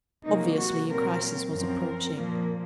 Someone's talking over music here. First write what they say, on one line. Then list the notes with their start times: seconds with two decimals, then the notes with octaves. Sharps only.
Obviously, a crisis was approaching.
0.25 C3 F#3 A#3 D#4
0.57 F#4
0.88 A#2 F#3 C4 A#4
1.51 F#2 F3 C4 A#4
2.14 A#2 F3 A#3